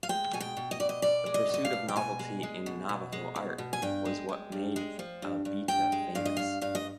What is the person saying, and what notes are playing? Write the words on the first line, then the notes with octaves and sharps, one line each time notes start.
The pursuit of novelty in Navajo art was what made Abeita famous.
F5
G#3 G5
B2 G#5
G5
B2
D#5
B2 D5
D#5
B2 D5
G#3
D#5
B2 D#5
F5
B2
G5
B2 G#5
G#3
G#3
B2
B2
G#3
B2
B2
G#5
G2 G5
G#3
G#3
G2
G#3
F3
G2
G2
G2 G5
G#3
G2 F5
D#5
G2 F5
G2 F5
D#5